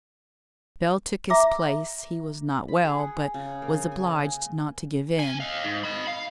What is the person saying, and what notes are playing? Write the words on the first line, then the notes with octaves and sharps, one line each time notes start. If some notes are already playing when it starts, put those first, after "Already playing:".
Bell took his place; he was not well, but was obliged not to give in.
E5 A#5 D6 E6
B5
G#4
F#5
C#3
A#3
G#5
D#5
C4 G#5
D#5 F5
G#2
D#5 B5
F5